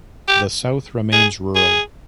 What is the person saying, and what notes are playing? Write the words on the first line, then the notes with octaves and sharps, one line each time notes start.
The south remains rural.
G4
G#4
G#4